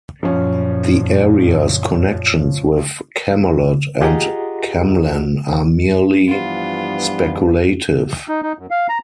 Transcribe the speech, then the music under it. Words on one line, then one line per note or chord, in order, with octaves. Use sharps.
The area's connections with Camelot and Camlann are merely speculative.
F#2 A#2 F3 C#4
F4 G4 G#4 D#5 F#5 A#5
G2 E3 F3 B3 F4
D#4
D#4
F#2
F5
A#5